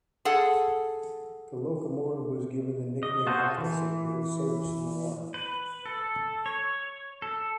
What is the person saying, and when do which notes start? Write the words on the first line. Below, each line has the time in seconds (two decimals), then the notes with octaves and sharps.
The locomotive was given the nickname "Moccasin" for its service in the water.
0.25 G#4 A4 F#5
3.03 D#5
3.27 F4 F#4 A4 C5 D#5
3.58 E3
5.34 B4
5.86 A4
6.46 C#5
7.22 A4